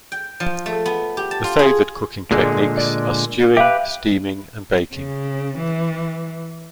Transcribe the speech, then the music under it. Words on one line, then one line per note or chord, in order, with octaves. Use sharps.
The favored cooking techniques are stewing, steaming, and baking.
G5
F3
A3
B3
G4
A5
F4
G#4
A#2 D3 G#3 G#4
D5
G4 B4 E5 F5
C#3
E3